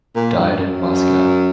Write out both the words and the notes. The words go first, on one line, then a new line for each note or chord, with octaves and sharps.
Died in Moscow.
A#2
G2
F#2